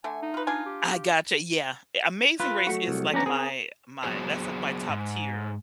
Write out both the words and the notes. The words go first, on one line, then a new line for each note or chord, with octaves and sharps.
I gotcha, yeah, eh, Amazing Race is like my my that's like my top tier
D3 A3 G#5
D#4
F4 B4
D4 F4 G#5
G4
F4 B4
F#3 A3 F#4
C2
F3 B3 C#4 D4 A#5
C4 G#4 A#4
F#3 B3 F#4 G#4 C5
G#2